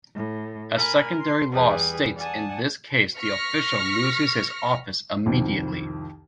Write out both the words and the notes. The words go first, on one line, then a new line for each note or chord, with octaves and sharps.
A secondary law states in this case the official loses his office immediately.
A2
A#4 G#5 B5
C6
E2 G3 G#4 B4
D5 F#5 G#5 A5 D#6
C#6 F6 A#6 B6 C#7
C2 F2 D#3